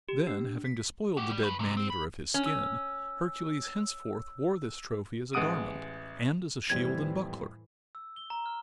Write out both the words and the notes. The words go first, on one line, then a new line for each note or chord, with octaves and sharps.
Then, having despoiled the dead man-eater of his skin, Hercules henceforth wore this trophy as a garment, and as a shield and buckler.
G4
D4
B6
F#4 G4
G3
D#3 B4
F#2 C3
C4
B5
C#4
E6
A1 G#3 F#5 D#6 D7 D#7
F2 A2 E3 G3 C4 G#6
E6
G7
A#5
F6